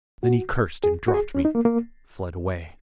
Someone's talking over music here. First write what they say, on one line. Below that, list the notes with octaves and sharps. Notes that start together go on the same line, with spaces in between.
Then he cursed and dropped me; fled away.
F#4
G#4
F#4
G#4
C#4
D#4
A#3
A#3